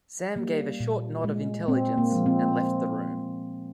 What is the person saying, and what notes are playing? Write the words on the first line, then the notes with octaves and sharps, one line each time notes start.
Sam gave a short nod of intelligence, and left the room.
G3 A#3
A#2
G#3
A#2 C4
A#3
F3 G#3
C4